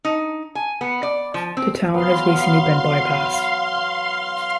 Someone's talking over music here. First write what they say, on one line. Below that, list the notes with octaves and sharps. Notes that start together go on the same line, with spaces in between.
The town has recently been bypassed.
D#4
G#5
B3
D5
F3
C4
E3 F#3 B3 F5 C6